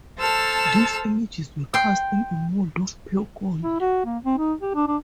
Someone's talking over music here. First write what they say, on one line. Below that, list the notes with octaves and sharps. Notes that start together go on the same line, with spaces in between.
These images were cast in a mold of pure gold.
A4 C5 A5 E6 F6
G5 C6
E4
F#4
A#3
C4
D#4
G4
D4
D4